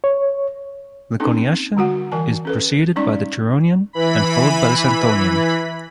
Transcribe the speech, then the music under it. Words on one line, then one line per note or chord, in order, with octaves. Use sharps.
The Coniacian is preceded by the Turonian and followed by the Santonian.
C#5
A#3 C4 C#4 D#4 A4
D3 G3 F#4 F#5
E3 A#4 G#5 A5
C#4 A4 B4
G3 G#3 C#4 D#4 D5 C#6
E3 B5